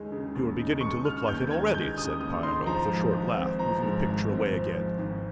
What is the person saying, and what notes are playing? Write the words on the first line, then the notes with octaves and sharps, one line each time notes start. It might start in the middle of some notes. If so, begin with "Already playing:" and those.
"You are beginning to look like it already," said Piero, with a short laugh, moving the picture away again.
Already playing: D#2 C#3 G#3 D#4
C#3
D#2
D#4
G#3 C#6
C#3 F6
D#2 G6
D#4 G#6
G#3 G6
C#3 D#6
D#2 D#6
D#4 C6
F3 A#5
G#2
G#1
C4
F3 A#5
G#2
G#1
C4
F3
G#2
G#1